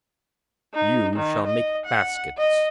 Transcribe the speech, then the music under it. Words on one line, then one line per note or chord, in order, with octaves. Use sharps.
You shall make baskets.'
D#4
D#3
D#5
F#5
D#5